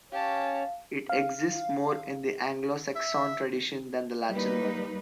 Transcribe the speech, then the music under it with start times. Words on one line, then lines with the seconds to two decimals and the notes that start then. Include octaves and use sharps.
It exists more in the Anglo-Saxon tradition than the Latin one.
0.12 C#4 G4 C#5 F5 A5
1.09 F5
2.95 E5
4.31 G3 A#3 D#4 B4